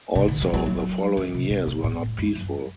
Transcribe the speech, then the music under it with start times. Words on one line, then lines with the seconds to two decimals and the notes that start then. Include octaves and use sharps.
Also the following years were not peaceful.
0.15 C3
0.28 D3
0.42 F#3
0.54 F#3
0.66 F#3
1.17 E3
1.34 C3
1.50 B2
1.67 A2
1.84 A2
2.18 F#2
2.36 F#2